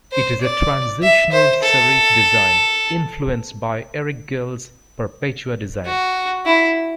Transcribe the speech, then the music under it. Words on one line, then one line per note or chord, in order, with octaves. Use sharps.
It is a transitional serif design, influenced by Eric Gill's Perpetua design.
C5
D5
E5
C5
A4
F#4
E4